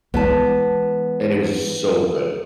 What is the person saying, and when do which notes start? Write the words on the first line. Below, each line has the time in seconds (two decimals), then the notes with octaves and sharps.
and it was so good.
0.14 E3 G#3 B3 A5